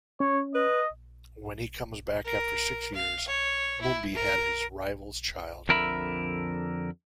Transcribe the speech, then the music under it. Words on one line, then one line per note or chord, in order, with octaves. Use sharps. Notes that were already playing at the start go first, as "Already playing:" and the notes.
When he comes back after six years, Mumbi had his rival's child.
C#4 C#5
B4 D#5
A#4
F5
C#5
E4
A#4
F2 D3 A#4 E5 B5